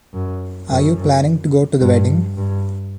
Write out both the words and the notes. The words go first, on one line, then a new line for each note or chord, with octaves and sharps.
Are you planning to go to the wedding?
F#2
F#2
G2
G2